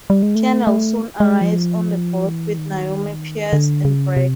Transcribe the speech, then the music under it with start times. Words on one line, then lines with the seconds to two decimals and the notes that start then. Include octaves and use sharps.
Kendall soon arrives on the boat with Naomi Pierce and Greg.
0.10 G3
0.23 G#3
0.35 A3
0.67 A3
1.20 G#3
1.41 F3
2.26 E3
2.58 D#3
3.53 D3
3.85 C#3
4.17 C3